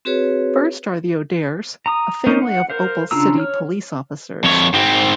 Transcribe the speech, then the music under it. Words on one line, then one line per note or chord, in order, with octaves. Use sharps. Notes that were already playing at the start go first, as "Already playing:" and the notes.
First are the O'Dares, a family of Opal City police officers.
C4 F#4 G#4 B4 C#5
A#5 D#6
A#3 C#4 D#4 A#4 C5
F#5
A#4 C5 F5
C#3 D4 F4 A#5 E6
C#5 F6
F2 C#5
G#2 C4